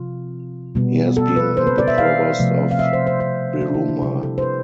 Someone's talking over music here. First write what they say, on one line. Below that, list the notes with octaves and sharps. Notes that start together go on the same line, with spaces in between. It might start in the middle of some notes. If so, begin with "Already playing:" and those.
He has been the provost of Virumaa.
Already playing: C3 F3 C4 F4
B2 G3 B3
A4
B4
C5
B4
D5
E5
F5
C3 F3 A3
F5
E5
C5
C5
C5
D4
E4
G4
C3 G3 D4 G4
A4
C5
B4